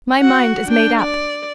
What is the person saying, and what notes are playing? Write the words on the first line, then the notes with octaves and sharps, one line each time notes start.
My mind is made up.
F#4 F#5
D4 G5
D5